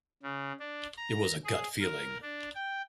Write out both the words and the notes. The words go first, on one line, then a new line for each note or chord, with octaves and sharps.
It was a gut feeling.
C#3
D4
A#5
G#4
A#4
D4
G5